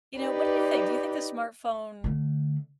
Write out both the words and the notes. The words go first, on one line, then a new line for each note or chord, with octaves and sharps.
you know, what do you think? Do you think the smartphone
D#4 G4 B4 D5
D3 A3